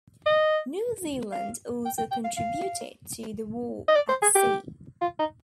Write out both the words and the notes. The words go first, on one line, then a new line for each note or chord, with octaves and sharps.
New Zealand also contributed to the war at sea.
D#5
F5
G5
G5
G5
F5
F5
D#5
D5
C5
G#4
G4
F4
D#4